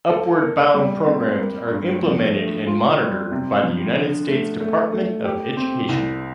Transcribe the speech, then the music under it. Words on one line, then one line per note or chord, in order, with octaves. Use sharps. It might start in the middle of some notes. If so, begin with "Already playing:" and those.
Upward Bound programs are implemented and monitored by the United States Department of Education.
A4
A#3
G3
C4
A#3
G2
F3
A3
F4
G3
C3
F3
D3
A3
A3
A3
G4
C4
C2